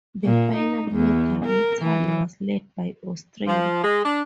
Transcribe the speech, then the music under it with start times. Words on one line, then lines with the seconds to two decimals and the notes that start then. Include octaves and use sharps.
The final medal tally was led by Australia.
0.25 A#2
0.56 D#4
0.92 E2
1.45 A#4
1.81 E3
3.47 F3
3.84 G#3
4.04 D4